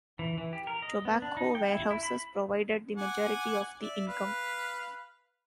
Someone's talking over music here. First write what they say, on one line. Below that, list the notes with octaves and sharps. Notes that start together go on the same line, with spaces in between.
Tobacco warehouses provided the majority of the income.
E3
E3
G4
A#4
D#5
B3
D4
D#4
G5
E4
E4
B5
F#5 G#5 D6
D5 E5
B4 F5